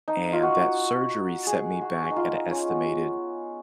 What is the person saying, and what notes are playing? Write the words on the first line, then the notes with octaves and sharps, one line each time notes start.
And that surgery set me back at a estimated
D#4
F4
F#4
G#4
F#4
D#4
F4
D#4
C#4
B3